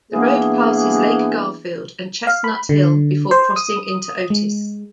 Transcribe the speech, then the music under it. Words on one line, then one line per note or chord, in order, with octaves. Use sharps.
The road passes Lake Garfield and Chestnut Hill before crossing into Otis.
E3 A#3 B3 D4 G#4
F5
B5
D3
C5
D#6
G#3